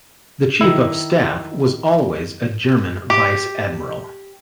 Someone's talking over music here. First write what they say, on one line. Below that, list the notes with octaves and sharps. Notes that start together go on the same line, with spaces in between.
The chief-of-staff was always a German Vice Admiral.
D#3 E4
G4